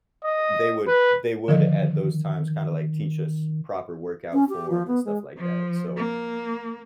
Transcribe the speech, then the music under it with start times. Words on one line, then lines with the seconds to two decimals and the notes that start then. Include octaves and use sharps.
they would they would, at those times, kinda, like, teach us proper workout form and stuff like that, so
0.24 D#5
0.87 B4
1.48 D3 D#3 F3 D#5
4.33 C#4
4.49 G4
4.70 F3
4.87 B3
5.05 G#3
5.37 F3
5.97 A#3